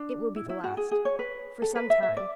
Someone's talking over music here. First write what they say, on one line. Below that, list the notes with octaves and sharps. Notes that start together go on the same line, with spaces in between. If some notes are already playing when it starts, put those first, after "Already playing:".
"It will be the last--for some time."
Already playing: D4
E4
E4
F#4
G#4
G#4
C#5
B4
A4
B4
E5
E5
D5